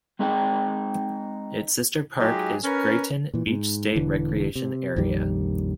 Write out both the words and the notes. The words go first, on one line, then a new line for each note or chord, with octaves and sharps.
Its sister park is Grayton Beach State Recreation Area.
G#3 C4 D#4 G#4 G5
F#3 G#3 D#4 F4 G4 G#4
C#4 A#4 B4
A#2 E3
G#2
E1 D3 E3
C3
A#1 F2 D#3 G3